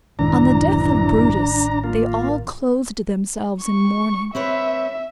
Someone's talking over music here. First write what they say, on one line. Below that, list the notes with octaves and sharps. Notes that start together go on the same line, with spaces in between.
On the death of Brutus, they all clothed themselves in mourning.
A1 F#2 C3 D#3 E3 G#3 D4 A#5
A#3 F4
C#6
C4 B4 C#5 E5